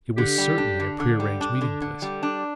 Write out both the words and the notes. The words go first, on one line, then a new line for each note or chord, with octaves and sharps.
It was certainly a prearranged meeting place.
D3 G4
G3
D4
D3
D3
G3
D4
D3
D3
G3
D4